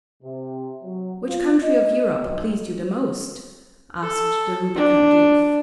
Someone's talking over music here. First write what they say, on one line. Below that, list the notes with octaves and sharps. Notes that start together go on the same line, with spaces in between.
"Which country of Europe pleased you the most?" asked the rubicund youth.
C3
F#3
F4
D#5
B1
A4
D4